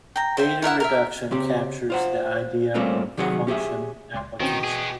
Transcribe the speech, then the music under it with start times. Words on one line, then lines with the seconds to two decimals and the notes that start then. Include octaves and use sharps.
Beta-reduction captures the idea of function application.
0.16 G5 A#5
0.37 C5 E5 G5
0.62 E4 A#4 E5 F#5
0.80 A#4 E5
1.31 C#3 C4 G4
1.90 F4 C5 F#5
2.74 G3 A3 A#3 C4 C#4 F4
3.17 C3 D#3 F#3 G#4 B4 F#5
3.47 C#4 G4 G#4 E5
4.14 C#2 D5 C6
4.40 B2 D#3 E3 C4 C#4 F#4 G5
4.64 B3 G#4